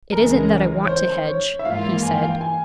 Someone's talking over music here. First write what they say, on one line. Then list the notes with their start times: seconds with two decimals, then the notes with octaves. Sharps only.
'It isn't that I want to hedge,' he said.
0.12 C#2 C#3 E3 G#3 A#4
0.83 C#5
0.88 C5
1.26 C#5
1.59 E5
1.65 G#2 E3 A#3 F4 F5
2.03 G#5
2.10 G5
2.17 F5
2.25 G5
2.41 G#5